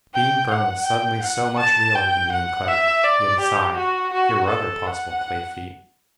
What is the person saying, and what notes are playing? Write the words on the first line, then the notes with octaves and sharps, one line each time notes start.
Being Burne was suddenly so much realler than being clever. Yet he sighed... here were other possible clay feet.
G5
F#5
G5
F#5
A5
G5
F#5
E5
D5
G4
F#4
F#4
A4
F#5